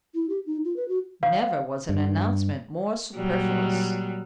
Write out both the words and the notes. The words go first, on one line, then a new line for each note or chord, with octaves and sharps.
Never was an announcement more superfluous.
E4
G4
D#4
F4
B4
F#4
F5
G2
A#2 F#3 G3